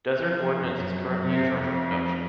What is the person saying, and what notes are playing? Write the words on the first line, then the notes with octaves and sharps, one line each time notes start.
Desert Ordnance is currently in charge of production.
F3
F#2
C3
F2